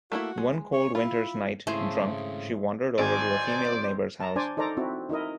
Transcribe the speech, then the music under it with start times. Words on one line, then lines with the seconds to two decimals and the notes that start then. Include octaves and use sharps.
One cold winter's night, drunk, she wandered over to a female neighbour's house.
0.12 A3 A#3 E4 F#4
0.38 G#3
0.73 C#5
0.95 E4 F4
1.67 G#2 C#3 A3 C4 E4 G#4 C5
2.99 G#1 D4 D#4 C5 D5 G#5
4.20 A5 A#5
4.36 D4 C5 D5 G#5
4.57 D#4 A4 C5 D5 A#5
4.77 C4 E4 F#4
5.09 D#4 E4 A#4 D#5